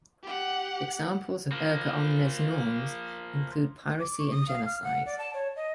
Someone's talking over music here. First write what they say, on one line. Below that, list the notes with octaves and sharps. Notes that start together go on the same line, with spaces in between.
Examples of erga omnes norms include piracy and genocide.
G4 F#5
F3 A#3
D6
C#6
D#6
F5
F6
F#5
D5
A5
C#5
D#5